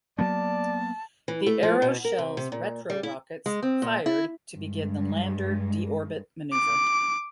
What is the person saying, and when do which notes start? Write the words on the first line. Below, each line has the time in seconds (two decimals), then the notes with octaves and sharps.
The aeroshell's retrorockets fired to begin the lander de-orbit maneuver.
0.18 F#3 A#3 B3 D5 A5
1.28 E3
1.46 A3
1.63 F3
1.82 B2
2.05 A#4
2.18 C3
2.37 C3
2.52 A#2
2.90 G3
3.03 E4
3.46 G#3
3.63 C4
3.82 A#2
4.06 E4
4.55 G2 G#3
6.53 D6